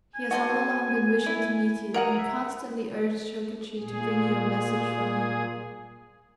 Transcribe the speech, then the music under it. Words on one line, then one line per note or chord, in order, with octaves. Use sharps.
He has all along been wishing to meet you, and constantly urged Chokichi to bring you a message from him.
G#5
F#4 A4 C5
E4
G#4 A#4 F#5 A#5
E5
A#2 G#4